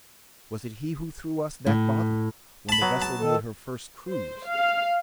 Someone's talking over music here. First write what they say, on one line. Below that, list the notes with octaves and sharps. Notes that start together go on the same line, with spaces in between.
Was it he who threw us that bottle, when the vessel made her first cruise?
A2
A5 B5
F#3 B3
A5
D#3 A4
C5
F5